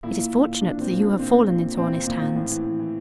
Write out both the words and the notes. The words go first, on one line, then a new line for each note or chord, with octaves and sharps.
It is fortunate that you have fallen into honest hands.
A#2 E4
A#2
A#2
A#2
A#2 D4
A#2 C4
A#2
D4
A#2
A#2 C4
A#2
A#2
A#2
A#2 C4
A#2
A#2
A#2
A2
E3
E3
E3